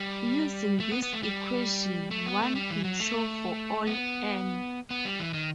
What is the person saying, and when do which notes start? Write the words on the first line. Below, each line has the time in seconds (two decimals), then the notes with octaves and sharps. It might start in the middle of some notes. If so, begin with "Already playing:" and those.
Using this equation, one can show for all "n".
Already playing: G3
0.80 A3
0.91 B3
1.02 B3
1.13 A3
1.23 G3
2.11 A3
2.26 B3
2.42 A3
2.55 G3
2.70 E3
2.84 F#3
3.00 A3
3.87 B3
4.90 B3
5.05 G3
5.19 E3
5.34 D#3